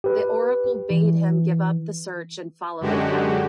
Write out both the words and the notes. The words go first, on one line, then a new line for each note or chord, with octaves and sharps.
The oracle bade him give up the search and follow a cow.
G4 B4
E3
F#2 D3 G#3 F#4 G4